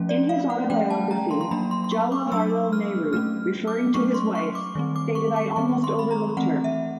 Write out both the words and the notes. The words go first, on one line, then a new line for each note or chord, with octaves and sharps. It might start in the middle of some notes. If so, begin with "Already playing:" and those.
In his autobiography, Jawaharlal Nehru, referring to his wife, stated I almost overlooked her.
Already playing: F3 A3 C#4
D5
F5
F#5
F3 A3 C#4 G5
A5
A#5
C6
C6
F#3 A#3 D4 B5
C6
C6
C#6
D6
F#3 A#3 D4 E6
F6
F#3 A3 C#4 F6
D6
F#3 A3 C#4 C#6
C6
C#6
D6
D#3 G3 C4
D6
C#6
D6
D#3 G3 C4 C#6
C6
B5
A#5
E3 A3 C4 F#5
E5